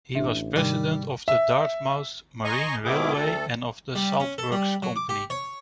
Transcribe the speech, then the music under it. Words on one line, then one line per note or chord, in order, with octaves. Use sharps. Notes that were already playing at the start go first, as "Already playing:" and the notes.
He was president of the Dartmouth Marine Railway and of the Salt Works Company.
A1 D4 E5
G#2 C3 D#3 G3
E5
D#5 G#5 A#5 C6 C#6
G#2 B2 D#3 E4 G#4 D6
D2 A4
G3
C#4
A4
G3
F#3
D6
G4
C#5